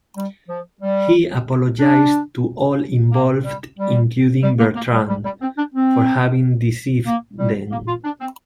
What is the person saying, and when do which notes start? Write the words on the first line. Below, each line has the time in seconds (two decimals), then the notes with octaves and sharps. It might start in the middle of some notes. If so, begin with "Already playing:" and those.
He apologized to all involved, including Bertrande, for having deceived them.
0.16 G3
0.48 F3
0.82 G3
1.80 D4
3.11 A#3
3.44 G3
3.78 G3
4.43 G3
4.59 A#3
4.76 A#3
4.93 G3
5.09 G3
5.25 G3
5.42 C4
5.57 D4
5.75 C4
7.06 A#3
7.39 G3
7.71 A#3
7.87 F4
8.04 D4
8.21 C4